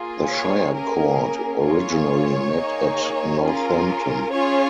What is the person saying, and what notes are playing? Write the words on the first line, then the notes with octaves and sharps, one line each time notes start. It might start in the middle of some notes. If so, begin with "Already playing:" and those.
The shire court originally met at Northampton.
Already playing: A#3 F4 G#4
C#5
A#3 C#4 G#4 A#4
A#3 F4 G#4 C#5
A#3 D#4 G#4
C#4 F4 G#4 A#4
C#4 F4 G#4 C#5